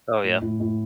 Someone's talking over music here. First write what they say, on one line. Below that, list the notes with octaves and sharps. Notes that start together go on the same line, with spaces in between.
Oh, yeah.
A2
A2
A2